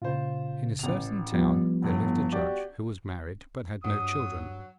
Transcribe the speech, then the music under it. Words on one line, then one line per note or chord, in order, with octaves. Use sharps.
In a certain town there lived a judge who was married but had no children.
A#2 C#3 F4 C5
A1 F7
F3 G3 B3
G1 A2
F#4 G4 D5
G2 F#3 D#6